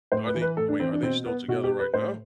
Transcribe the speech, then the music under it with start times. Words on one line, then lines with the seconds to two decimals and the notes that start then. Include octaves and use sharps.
Are they wait, are they still together right now?
0.12 A2 C5
0.27 B4
0.34 E3
0.42 B4
0.57 A2 A4
0.68 D4
0.80 E3 C4
0.92 D4
1.02 B2 C4
1.26 B3
1.48 B2 F#4
1.64 G4
1.79 B4
1.94 A2 C5